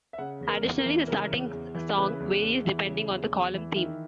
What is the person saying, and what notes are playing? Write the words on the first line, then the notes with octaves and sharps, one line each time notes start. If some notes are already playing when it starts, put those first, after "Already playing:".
Additionally, the starting song varies depending on the column theme.
E5
C#3 F#5
E2
A#4
E2
A#4
E3
C#3 A#4
E2
E2
E3
C#3 B4
E2
E2
E3
C#3
E2
E2
E3
D#3 E5